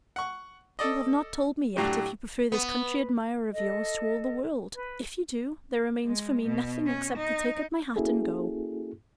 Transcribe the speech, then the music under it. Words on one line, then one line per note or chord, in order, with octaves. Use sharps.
You have not told me yet if you prefer this country admirer of yours to all the world; if you do, there remains for me nothing except to take up my hat and go.
F#5 C#6
A4 D5 D#5
A2 F#3 D4 G4
B3
A4 D#5
B4
G#3
B2
C#4
D#4
A#3 C#4 E4 F#4 G#4 A4